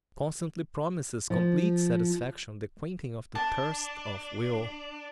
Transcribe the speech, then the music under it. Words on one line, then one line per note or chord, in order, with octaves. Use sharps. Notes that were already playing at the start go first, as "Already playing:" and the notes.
It constantly promises complete satisfaction, the quenching of the thirst of will.
F3
D4 A5